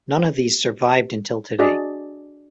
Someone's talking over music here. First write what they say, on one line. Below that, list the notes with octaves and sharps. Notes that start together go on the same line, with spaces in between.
None of these survived until today.
D4 F#4 G#4 D5 D#5